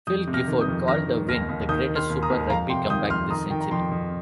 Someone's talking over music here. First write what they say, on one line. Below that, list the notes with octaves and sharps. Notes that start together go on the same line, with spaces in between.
Phil Gifford called the win the "greatest Super Rugby comeback this century".
F2 D#6 G6
C3
F6 A#6
D#3
D#6 G6
F2
D#3 F6 A#6
D#3
D#2 F6 A#6
D#2
D#3 D#6 G6
D#3
C6 F6
D#2
A#5 D#6
D#2
F2 F5 A#5
C3 G5 C6
D#3 D#6 G6
F2 C6 F6
D#3 A#5 D#6
D#3 G5
A#5
F2 G5 C6
F2